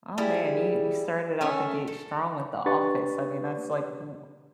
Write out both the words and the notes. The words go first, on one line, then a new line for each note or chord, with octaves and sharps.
Oh man, you you started out the gate strong with The Office. I mean, that's like o
G3 E4 G#4
A3 C#4 E5
A4
D4 G4 B4 C#6 A6